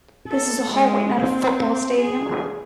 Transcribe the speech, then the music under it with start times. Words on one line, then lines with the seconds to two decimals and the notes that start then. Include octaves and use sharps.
This is a hallway, not a football stadium!
0.28 A4
0.72 G#3
1.18 C4
2.00 G#4